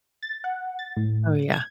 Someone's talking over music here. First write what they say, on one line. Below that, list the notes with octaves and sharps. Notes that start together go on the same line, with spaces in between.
Oh, yeah.
A6
F#5
A6
A2
G#6